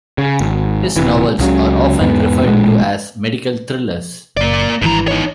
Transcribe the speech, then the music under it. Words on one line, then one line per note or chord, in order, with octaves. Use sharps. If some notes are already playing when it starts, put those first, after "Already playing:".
His novels are often referred to as medical thrillers.
C#3
G#1
D1 C3 E3
C#2 C#3 F#3
E2 G#2 B3
A1 A#2 G#3
F#1 A#3 D5
G#1 G2 E3 A#5
D#4 C#5